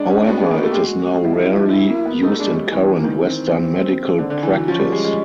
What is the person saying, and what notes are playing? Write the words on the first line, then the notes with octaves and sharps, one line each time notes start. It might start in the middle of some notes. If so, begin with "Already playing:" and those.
However, it is now rarely used in current Western medical practice.
Already playing: G#3 D4
C#4
B3 F#4
B3 G#4
A#3
F#4
A3
G#3 G4
F#4
G3 E4
F#3
F3
F#3
A#3
B3
A3 D#4
G#3 D4
G3
C#4
E3 C#4
E3 B3
A#3
D#3 B3
C4
D3
D3
E3
F#3
F3 C#4
G3
G#3
G#3